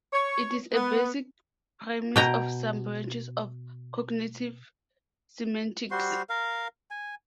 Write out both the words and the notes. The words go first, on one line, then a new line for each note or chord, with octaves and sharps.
It is a basic premise of some branches of cognitive semantics.
C#5
B3
B2 G5 A#5
G3 F#4 C5 C6
A#4 F5
G#5